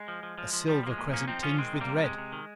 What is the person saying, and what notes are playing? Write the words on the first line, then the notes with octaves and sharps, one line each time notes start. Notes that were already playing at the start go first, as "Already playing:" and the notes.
A silver crescent, tinged with red.
Already playing: G#3
F3
F3
F3
F3
F3 G3
F3 A#3
G#3
A#2
F3 A#3 C#4
F3 C4 D#4
F3 C#4 F4
D#3 G#3 C4
C3
G3 A#3
C3
C3 G#3
C3
D#3